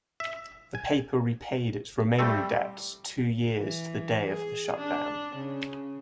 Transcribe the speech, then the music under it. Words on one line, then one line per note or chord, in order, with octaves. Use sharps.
The paper repaid its remaining debts two years to the day of the shutdown.
E5
G#5
G3 A3 C4 A4
E3
G#4
D4
C#3